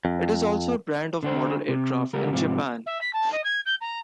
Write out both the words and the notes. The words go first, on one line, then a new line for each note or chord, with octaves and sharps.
It is also a brand of model aircraft in Japan.
F2
D3 D4 C5
C3
C#2 G3 A#4
G#2 C3 F3
E5
B6
A5
D#5
G#6
G6
A#5